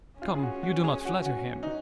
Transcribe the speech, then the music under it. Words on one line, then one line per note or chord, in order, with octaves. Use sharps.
"Come, you do not flatter him."
C#4 F4
G#4
F#4
F#4
G#4
F#4
F#4
D#4